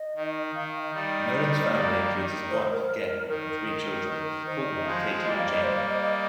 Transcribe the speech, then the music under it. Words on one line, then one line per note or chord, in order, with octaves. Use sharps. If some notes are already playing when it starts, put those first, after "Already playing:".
Nolan's family includes his wife, Gail, and three children, Courtney, Katie and Jamie.
Already playing: D#5
D#3
D#3 F5
F5
D#5
D#3 G3
D#5
G3 A#3 D5
D#3
C5
A#4
D#3
D#3 A#4
D#3
D#3 C5
D5
D#5
F3 G#3 F5
G3 A#3 D#5
F5
D#5
C5
F5
D#5
D#5